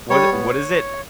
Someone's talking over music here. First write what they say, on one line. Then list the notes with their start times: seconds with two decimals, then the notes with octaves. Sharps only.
Was it what is it?
0.10 G3 C#5
0.32 B3